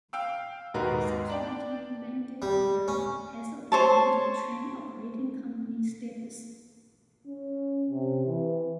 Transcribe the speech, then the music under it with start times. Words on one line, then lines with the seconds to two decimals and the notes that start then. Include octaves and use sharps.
Subsequently Mendip Rail has obtained train operating company status.
0.13 F5 G5 E6
0.74 D#2 G#2 D#4 F#4 A#4 B4
1.30 D4 D5 G5
2.42 G3
2.88 C#4
3.72 C5 C#5 A5
7.27 C#4
7.91 C3
8.26 E3